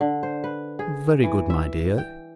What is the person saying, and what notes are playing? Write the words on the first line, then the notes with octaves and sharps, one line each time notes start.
'Very good, my dear.
D3
C5
B4
G#4
E3
E5
G5